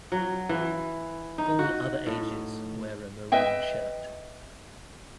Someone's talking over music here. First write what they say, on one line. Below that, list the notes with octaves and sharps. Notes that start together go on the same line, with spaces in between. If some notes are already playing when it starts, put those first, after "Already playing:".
All other ages wear a maroon shirt.
F#3
E3
D#4
F#4
A2
B4 D#5 E5 G5